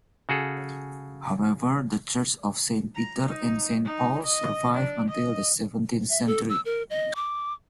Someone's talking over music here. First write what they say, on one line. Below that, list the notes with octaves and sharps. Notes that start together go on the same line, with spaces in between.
However, the church of Saint Peter and Saint Paul survived until the seventeenth century.
C#3 F#4 G#4 A4
A#5
D#4
D#4
D#5
D4
D#5
E5
A4
E6
A#4
D#5
D6